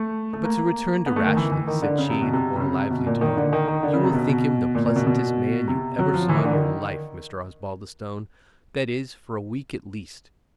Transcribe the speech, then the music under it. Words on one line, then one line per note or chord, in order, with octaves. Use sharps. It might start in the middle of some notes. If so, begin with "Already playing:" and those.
But to return to Rashleigh," said she, in a more lively tone, "you will think him the pleasantest man you ever saw in your life, Mr. Osbaldistone,--that is, for a week at least.
Already playing: A3
A3
A#3
B3
A3
D#3
E3
E3
D#3
D3
C#3
C3
B2
C3
C3
C#3
C3
B2
A#2
D#3
D3
D#3
D#3
D3
C#3
C3
B2
B2
A#2
A#2
B2
B2
C3
F#3
F3
E3
D#3
D3
D#3